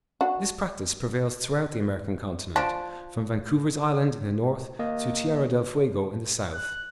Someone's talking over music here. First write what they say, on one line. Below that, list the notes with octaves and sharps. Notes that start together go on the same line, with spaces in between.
This practice prevails throughout the American continent from Vancouver's Island in the north to Tierra del Fuego in the south.
D4 F#4
F3 D4
A#3 D#5
F#6